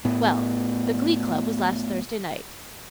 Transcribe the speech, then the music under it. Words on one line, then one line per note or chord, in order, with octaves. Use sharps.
"Well--the glee club was last Thursday night."
A2 B3